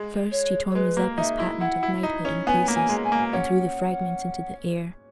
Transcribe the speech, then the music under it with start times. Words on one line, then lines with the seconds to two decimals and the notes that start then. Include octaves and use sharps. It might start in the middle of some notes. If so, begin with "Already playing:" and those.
First, he tore Mazeppa's patent of knighthood in pieces, and threw the fragments into the air.
Already playing: G#3
0.32 C#5
0.70 C#5
0.75 G#3 B4
0.97 A#3
1.18 D#4 E5
1.40 E4
1.60 E4 F#5
1.83 E4
2.03 D#4
2.25 C#4
2.47 B3 G#5
2.68 A#3
2.75 G#5
2.89 G#3
3.04 G#5
3.12 A#3
3.33 C#4 F#5